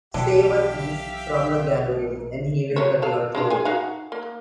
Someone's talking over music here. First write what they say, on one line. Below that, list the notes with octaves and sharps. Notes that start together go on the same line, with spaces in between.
Save a thief from the gallows and he will cut your throat.
B1 B2 D3 E3 G4 E5 F5
F#3 G3 C#5
A4 F5
G#3 D4 F4
G#4 G#5
D#4 F#4 F5
A#3